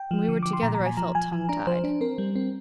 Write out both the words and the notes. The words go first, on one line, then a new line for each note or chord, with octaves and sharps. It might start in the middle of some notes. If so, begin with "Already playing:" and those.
When we were together I felt tongue-tied.
Already playing: G5
F3
D3
F3 D6
C6
A#2 A#5
A#5
A#2
G#5
F3 A#5
F3 G#5
F3 G#5
D4 A#5
F3 C5
D4
C4 A#4
G3
C4